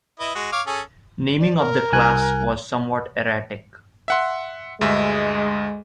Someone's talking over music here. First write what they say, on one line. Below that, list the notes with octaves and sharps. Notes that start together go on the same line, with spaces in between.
Naming of the class was somewhat erratic.
E4 B4 D#5
G#3 F#4
C#5 F5 D6
C#4 G#4 A4
D5
A#4
C2 G#5 F#6
E5 F#5 C6
D2 G2 G#3 E5